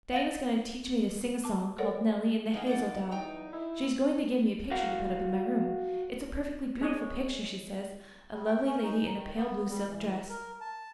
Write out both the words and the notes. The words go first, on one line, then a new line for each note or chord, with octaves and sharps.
Diana is going to teach me to sing a song called 'Nelly in the Hazel Dell.' She's going to give me a picture to put up in my room; it's a perfectly beautiful picture, she says--a lovely lady in a pale blue silk dress.
F5 F#5 A6 A#6
A5 D6
A4 A#4 C#5 D5 F#5
G#3 A#3 B3 D#4 G#4
G2 D5 F#5
E2 D#4 G5 A#5
D#4 E4
F#4 A#4 F5 F#5
G#3 C#5 D#5
G3
G5
C#4
D#4
D#3
B3
G3
E3
A#4
A5